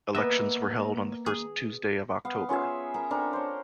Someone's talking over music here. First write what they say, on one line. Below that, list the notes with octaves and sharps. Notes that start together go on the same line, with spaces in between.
Elections were held on the first Tuesday of October.
A#3 B3 D#5 E5
G#4
B3 F5 F#5
C#4 F4 G#4 E5
A#4 F#5 A#5
C4 D4 A4 A#4
C5 C#5